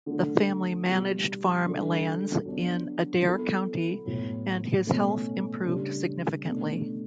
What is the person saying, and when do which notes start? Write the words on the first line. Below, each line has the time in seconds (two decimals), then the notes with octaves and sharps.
The family managed farm lands in Adair County, and his health improved significantly.
0.06 D3 A3 D4 A4
0.86 B2 G3 B3 F#4
1.66 D3 G3 D4 F#4 A4
2.45 F#3 B3 D4
3.25 F#3 B3 E4 A4
4.05 A2 F#3 B3 E4
4.85 B2 A3 C#4
5.65 C#3 G3 D4 G4
6.45 B2 A3 D4